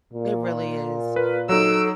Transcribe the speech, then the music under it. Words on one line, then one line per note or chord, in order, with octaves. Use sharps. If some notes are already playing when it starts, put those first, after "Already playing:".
It really is.
A#2
A#4 B4
F#3 D#4 A4 E6 D7